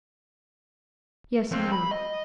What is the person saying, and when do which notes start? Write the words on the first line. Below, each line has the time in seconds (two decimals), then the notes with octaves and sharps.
"Yes, I know."
1.51 F2 C4
1.72 B5
1.91 D#5